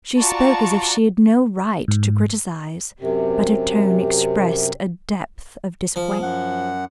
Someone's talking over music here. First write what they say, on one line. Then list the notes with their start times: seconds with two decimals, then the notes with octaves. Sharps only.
She spoke as if she had no right to criticise; but her tone expressed a depth of disappointment.
0.19 F4 F#4 D5 A5 A#5 C#6
1.88 G#2
3.00 F#2 C3
5.96 F3
6.11 G#4
6.22 F#2 F#5